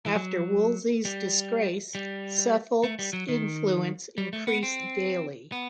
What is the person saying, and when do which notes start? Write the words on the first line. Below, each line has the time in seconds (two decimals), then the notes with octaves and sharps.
After Wolsey's disgrace, Suffolk's influence increased daily.
0.06 E3
0.15 F#3
1.05 G3
1.95 G3
2.84 A3
2.99 G3
3.13 F#3
3.28 D#3
4.18 G3
4.33 A3
4.47 B3
4.63 C4
5.52 B3